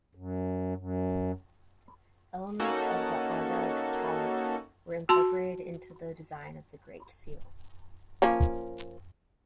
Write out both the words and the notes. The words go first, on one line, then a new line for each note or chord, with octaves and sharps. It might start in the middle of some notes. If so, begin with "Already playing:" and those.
Elements of the Ardagh Chalice were incorporated into the design of the Great Seal.
F#2
F#2
A#3 C#4 D#4 F#4 A4
F#4 A5 C6
F3 A#3 C#4